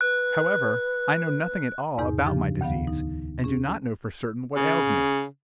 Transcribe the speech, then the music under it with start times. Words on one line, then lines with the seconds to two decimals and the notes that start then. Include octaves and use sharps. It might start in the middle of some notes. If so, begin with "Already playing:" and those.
However, I know nothing at all about my disease, and do not know for certain what ails me.
0.01 B4 F#6
1.98 E2 G#2 C3 D#4 G#4 G6
2.26 C#3 F3 D4 G4
2.61 D2 D#3 B3 F5
2.87 D#4
3.44 C#4 G#4
4.56 C#3